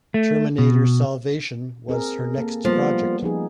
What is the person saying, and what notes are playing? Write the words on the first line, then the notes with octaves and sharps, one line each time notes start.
"Terminator Salvation" was her next project.
A3
B2
C4 G#4 A#4
A#3 A4
F3 G3 A#3 B3
F3 D#4 G#4